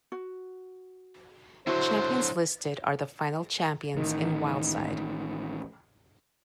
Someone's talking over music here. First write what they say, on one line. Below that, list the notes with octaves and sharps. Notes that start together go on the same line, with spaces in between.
Champions listed are the final champions in Wildside.
F#4
D3 F#3 E4 F#4 C5
A1 D#3